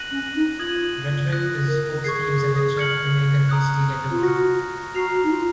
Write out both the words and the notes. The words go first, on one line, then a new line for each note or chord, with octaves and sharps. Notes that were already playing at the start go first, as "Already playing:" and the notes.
Redrick is forced to use an "itcher" to make a hasty getaway.
Already playing: F#6 A#6 D#7 F#7
C#4
D#4
F4 D#6 G#6 D#7 F#7
F4 D#6 F#6 A#6
A#4
A#4
G#4 C#6 G#6 C7
F6 G#6 C#7 F#7
A#5 D#6 F#6
F4
F#4 F6 A#6 C#7
F#4 A#5 F6 C7 F7
D#4
F4